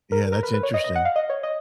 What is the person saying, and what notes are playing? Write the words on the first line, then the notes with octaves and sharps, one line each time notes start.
Yeah, that's interesting.
A#4
A#4
B4
B4
C#5
D#5
D#5
F#5
F5
D#5
C#5
D#5